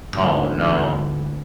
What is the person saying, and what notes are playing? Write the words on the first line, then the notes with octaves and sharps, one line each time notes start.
Oh no.
G#1 D2 D3 E3